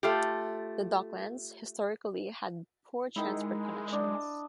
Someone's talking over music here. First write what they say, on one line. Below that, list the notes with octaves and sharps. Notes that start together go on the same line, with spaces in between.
The Docklands historically had poor transport connections.
A3 F4 G4
D#3 G#3 D#4 E4
D4 D#5